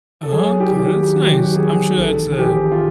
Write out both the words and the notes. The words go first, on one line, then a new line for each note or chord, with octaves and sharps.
Okay, that's nice. I'm sure that's, uh,
A4
F#3 G#4
G4
D#3 G4
F#4
D#3 F#4
G4
F#4
D#3 G#4
A1 A4
G#4
F3 G4
F4